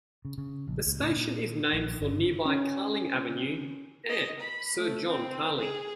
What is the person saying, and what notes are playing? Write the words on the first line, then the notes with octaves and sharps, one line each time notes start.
The station is named for nearby Carling Avenue and Sir John Carling.
C#3
C#3
A#1
C#2
A2
A#2
A#1
G1
C#4
D#5
B5
A3
C4
G#4